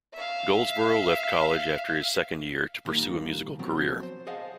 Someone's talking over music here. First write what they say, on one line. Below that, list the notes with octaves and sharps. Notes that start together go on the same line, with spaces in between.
Goldsboro left college after his second year to pursue a musical career.
E5 F5
A#2 D#3 G3 A3 A#3
B2 F3 F#3 C4
C5
G#4 C5 D#5 F5 F#5 A5